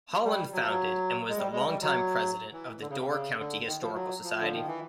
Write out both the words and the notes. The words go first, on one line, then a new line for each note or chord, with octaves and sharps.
Holand founded and was the long-time president of the Door County Historical Society.
G3
F#3
F3
F#3
G#3
G3
G#3
G3
F#3
E3
D3
C#3
C3
C#3
D3
D#3
F3
F#3
F3
D3
D#3
E3